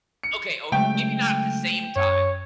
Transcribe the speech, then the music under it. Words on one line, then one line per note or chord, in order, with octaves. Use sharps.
Okay. Oh, maybe not at the same time
C#7
C#3 F#3 G#3 A3 G5
F#2 C#5